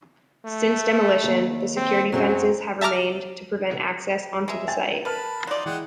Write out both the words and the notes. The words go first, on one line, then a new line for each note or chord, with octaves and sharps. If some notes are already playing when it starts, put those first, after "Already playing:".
Since demolition, the security fences have remained to prevent access onto the site.
A3
D#2
C4
F#2 F#3 C4 G#4
E5 A5 A#5 D6 F6
G#3 E5
G5 G#5 A6
A#4 B4 A5 B5 F6
F#3 D#4 F4 D5
E3 G#3 F#5 G5